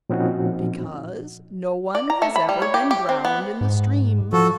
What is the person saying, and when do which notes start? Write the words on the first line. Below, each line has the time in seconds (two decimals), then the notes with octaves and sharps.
'Because no one has ever been drowned in the stream.
0.09 A#2 F3 C4 C#4 D#4 F#4
1.95 D5
2.10 A#5
2.22 A3
2.36 B5
2.49 G3
2.62 C#5
2.74 G4
2.91 G4
3.09 C4
3.25 B3
3.61 G#2
4.33 F3 F#4 A4